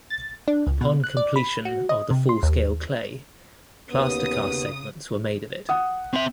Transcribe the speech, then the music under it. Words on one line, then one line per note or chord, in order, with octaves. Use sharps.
Upon completion of the full scale clay, plaster cast segments were made of it.
A6
D4
C#2
B2
F#6
D5
B5
F#4
D#5
C3
C6
D#2
D#2 C#3 B3 D#6
F#5 D#6
C4 E5